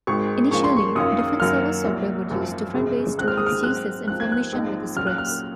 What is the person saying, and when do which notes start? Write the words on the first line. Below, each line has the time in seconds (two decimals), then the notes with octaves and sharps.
Initially, different server software would use different ways to exchange this information with scripts.
0.07 G#1 G#2 D#3 G#3 C#6
0.51 G#2 F3 A#3 C#4 F4 C#6
0.64 C6
0.77 C#6
0.95 F#2 D#3 A#3 C#4 F4 D#6
1.19 D#6
1.40 F#2 D#3 F#3 A#3 F6
1.85 C2 A#2 F#3
2.30 G#1 F#2 F3
2.74 G#1 F#2 C#3 G#3 C#4
3.18 A#1 G#2 D#3 G#3 C4 F#6
3.28 F6
3.37 D#6
3.47 F6
3.63 G#2 F#3 C4 F#6
4.07 G#2 F3 C4 F#6
4.20 G#6
4.32 F#6
4.52 A#1 G#2 F3 C4 D#4
4.96 A#2 F#3 C#4 F4 F6
5.07 F#6
5.18 F6